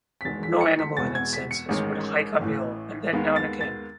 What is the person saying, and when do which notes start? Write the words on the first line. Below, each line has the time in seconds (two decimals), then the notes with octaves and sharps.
No animal in its senses would hike uphill and then down again.
0.21 B6
0.25 E1 E2 D#3 G#3 A6
0.43 B6
0.61 C#7
0.79 B6
0.97 E2 B2 G#3 B3 A6
1.15 G#6
1.33 B6
1.51 C#7
1.69 A1 G#2 D#3 G#3 C#4
2.40 A1 A2 E3
3.13 D#2 D#3 G#3 B3
3.36 A6
3.61 A6